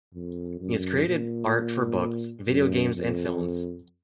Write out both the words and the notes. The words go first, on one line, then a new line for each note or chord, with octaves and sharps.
He has created art for books, video games and films.
F2
F#2
A#2
F#2
F2